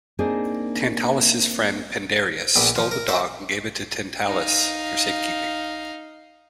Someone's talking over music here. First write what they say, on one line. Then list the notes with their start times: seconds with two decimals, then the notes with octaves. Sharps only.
Tantalus's friend Pandareus stole the dog and gave it to Tantalus for safekeeping.
0.19 A#3 C4 D4 D#4 G#4
2.56 A#1 B3 D5
2.76 F3 F4
2.91 A#4
3.08 F#4 C5 E5
4.27 D#4 F5